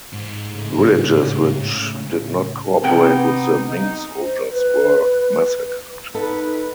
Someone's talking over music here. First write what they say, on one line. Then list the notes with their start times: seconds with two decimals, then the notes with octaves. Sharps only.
Villages which did not cooperate with the Ming soldiers were massacred.
0.13 G#2
0.47 A2 C#3
2.84 C3 B3 D#4 F#5 G5
3.69 D#4
4.15 C5
4.51 B4
6.14 B3 D#4 A4 B4